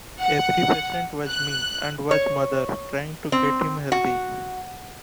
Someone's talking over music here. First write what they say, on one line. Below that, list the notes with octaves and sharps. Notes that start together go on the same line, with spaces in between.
Every patient was me, and was mother, trying to get him healthy.
F#5
F#6
C#5
C4
F#4